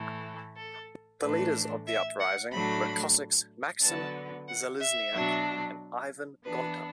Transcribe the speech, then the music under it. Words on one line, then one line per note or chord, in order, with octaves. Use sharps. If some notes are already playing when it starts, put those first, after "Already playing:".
The leaders of the uprising were Cossacks Maksym Zalizniak and Ivan Gonta.
Already playing: A2 E3 A3
A4
A2 E3 A3 D4 B4
E5
F#5
A2 F#3 A3 D4 B5
D3 F#3 B3 A5
F#5
E5
B2 F#3 D4
E3 B3 D4 B4